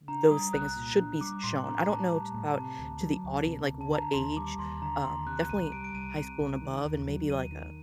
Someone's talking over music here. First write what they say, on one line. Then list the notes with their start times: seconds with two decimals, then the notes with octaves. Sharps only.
those things should be s shown. I don't know t about to the audi like, what age. Um, definitely high school and above and maybe like a
0.08 D4 A#5
0.31 G3 D#6
0.53 C2 F#6
0.76 A#2
0.98 D4
1.21 G3 D6
1.43 A2 C6
1.66 D4 A#5
1.89 A2 A5
2.11 G3
2.34 A2
2.56 C3 A5
2.79 D2
3.01 F#3
3.24 D2
3.47 C3
3.69 D2
3.81 A5
3.91 D3 A#5
4.14 D#2 C6
4.37 G3 D6
4.58 D#2 C6
4.81 D3 A#5
5.04 D#2 C6
5.26 C3 F#6
5.49 C2 D#7
5.72 G3 D7
5.84 D7
5.94 C2 D#7
6.17 C3
6.40 C2
6.62 D#3
6.84 D#2
7.07 F#3
7.29 D#2 D#7
7.52 D#3